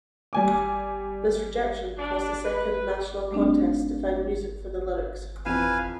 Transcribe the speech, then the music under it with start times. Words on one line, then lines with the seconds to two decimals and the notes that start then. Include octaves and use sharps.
This rejection caused a second national contest to find music for the lyrics.
0.33 G3 G#5 D6
1.98 D4
2.44 B4
3.31 G3 A3 C4 D4 D#4
5.46 F2 E3 B4 F5 G#5 E7